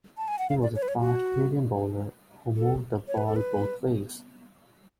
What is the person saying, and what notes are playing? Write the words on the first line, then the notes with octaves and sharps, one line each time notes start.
He was a fast medium bowler who moved the ball both ways.
A5
G#5
F#5
F5
D5
C#5
B4
C#5
F#4
A4
C#5
B4
A4
B4